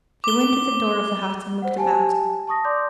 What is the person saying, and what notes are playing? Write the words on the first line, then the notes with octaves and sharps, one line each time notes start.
She went to the door of the hut and looked about.
D6 G7
C5 F#5
G4 G#5 A5
A5 C#6 D#6 A#6
D5 C6 D6 G6